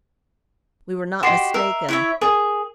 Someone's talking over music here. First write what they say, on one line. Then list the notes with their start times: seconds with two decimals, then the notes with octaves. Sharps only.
We were not mistaken.
1.23 F#4 G4 D#5 C6 C7 E7
1.54 A#4 E5
1.89 E4 C#5 E5
2.21 G#4 A#4